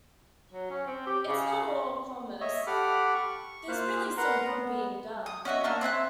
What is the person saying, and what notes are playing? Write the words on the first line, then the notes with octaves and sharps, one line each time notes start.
It's not all commerce- there's really some good being done.
F#3
C#4
C4
G4
C#3
C#5 D#5 E5
G4 A4 F#5 B5 D6 F6
C#6
A#3 F4 C5 F5 F#6
A#4 B4 F#5 A#5 C6
B3
D#6
C#4 F#4 D#5 E5
A#3 D4 C#6
C4 E4 A5 F#6